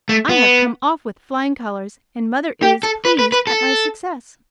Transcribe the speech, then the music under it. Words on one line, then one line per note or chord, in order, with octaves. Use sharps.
I have come off with flying colors, and mother is pleased at my success.
A3
B3
G4
A4
B4
B4
B4
A4